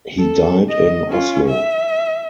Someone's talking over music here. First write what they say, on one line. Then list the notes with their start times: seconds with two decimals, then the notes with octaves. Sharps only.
He died in Oslo.
0.19 A4
0.69 D#5
1.09 C#4 F4
1.49 E5